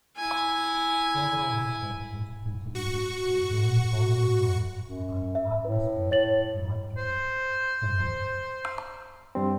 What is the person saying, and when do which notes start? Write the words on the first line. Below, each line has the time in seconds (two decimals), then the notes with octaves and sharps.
Several researchers contributed to the growing body of knowledge about atmospheric electrical phenomena.
0.16 E4 G#5
2.75 F#4 C#6
4.88 F#2
5.35 E5
5.65 A2 B4
6.11 A2 C#5 A6 F#7
6.97 C5
9.35 G2 G3 C4